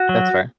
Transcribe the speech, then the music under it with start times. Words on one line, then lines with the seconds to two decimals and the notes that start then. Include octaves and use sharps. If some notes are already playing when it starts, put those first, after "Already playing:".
That's fair.
Already playing: F#4
0.09 F#3